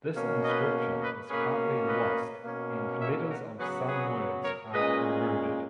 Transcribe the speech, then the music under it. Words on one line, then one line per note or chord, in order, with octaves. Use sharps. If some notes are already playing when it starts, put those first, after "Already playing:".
This inscription is partly lost and letters of some words are eroded.
B2 A#3 C#4
B4 D#5
B4 D#5
B2 A#3 C#4 G#4 B4
B4 D#5
B2 A#3 C#4
C#5 E5
F#4 A#4
C#3 F#3 B3 G#4 B4
G#4 B4
A#4 C#5
A#2 G#3 C#4 B4 D#5